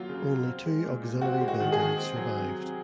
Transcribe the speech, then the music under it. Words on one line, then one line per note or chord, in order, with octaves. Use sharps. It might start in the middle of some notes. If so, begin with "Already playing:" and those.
Only two auxiliary buildings survived.
Already playing: F#3 A#3 F4
C#3
C#3
C4
G#3
A#2
A#2
C4 F#4
G#3
F#4
D#3
G#4
D#3
C4
F#3
C3
C3